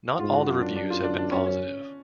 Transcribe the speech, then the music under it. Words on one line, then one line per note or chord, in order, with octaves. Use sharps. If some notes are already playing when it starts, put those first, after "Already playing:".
Not all the reviews have been positive.
F#4
G#2 F4
F#4
F#2 F4
D4
D4
F4
D4
D4
F#2 C#4
C#4